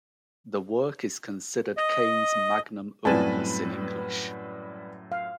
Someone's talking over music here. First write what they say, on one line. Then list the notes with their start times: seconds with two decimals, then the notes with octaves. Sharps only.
The work is considered Kane's magnum opus in English.
1.77 D#5
3.05 F#2 A2 G3 C4 B4 G#5 A5
5.12 F5